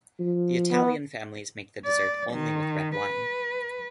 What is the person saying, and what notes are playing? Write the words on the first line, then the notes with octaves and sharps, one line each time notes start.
The Italian families make the dessert only with red wine.
F3
B3
D5
D#3
B4